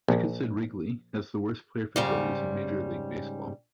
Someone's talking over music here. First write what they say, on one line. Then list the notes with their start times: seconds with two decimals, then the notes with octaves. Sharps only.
Ricketts said Wrigley has the worst player facilities in Major League Baseball.
0.08 A#1
1.96 G#2 C#3 G3